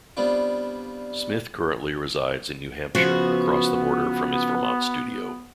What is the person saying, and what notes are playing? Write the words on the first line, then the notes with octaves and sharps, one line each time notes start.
Smith currently resides in New Hampshire across the border from his Vermont studio.
G3 B3 C4 D4 F4
C#3 F3 B3 F#4